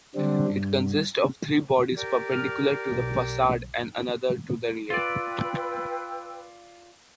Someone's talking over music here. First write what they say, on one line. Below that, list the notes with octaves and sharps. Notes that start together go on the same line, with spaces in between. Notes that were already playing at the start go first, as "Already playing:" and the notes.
It consists of three bodies perpendicular to the facade and another to the rear.
D3 F#3 G3 C4 D4
G2
G4 A#4 D5
F6
B1
F4 B4 D5 G5 E6